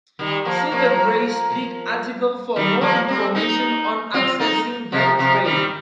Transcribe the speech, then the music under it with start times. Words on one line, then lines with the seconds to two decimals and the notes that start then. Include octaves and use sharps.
See the Grays Peak article for more information on accessing that trail.
0.19 D#3 G3
0.45 F3 A#3
0.72 F3 A#3
2.56 D#3 G3
2.81 F3 A#3
3.08 G3 C4
3.35 A#3 D#4
4.13 C4 F4
4.39 A#3 D#4
4.92 C3 F3
5.19 C3 F3
5.45 D#3 G3